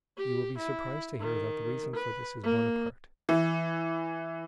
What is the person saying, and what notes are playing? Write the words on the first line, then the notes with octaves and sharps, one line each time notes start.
You will be surprised to hear that the reason for this is Buonaparte!
G4
E4
D#3
B4
A#3
E3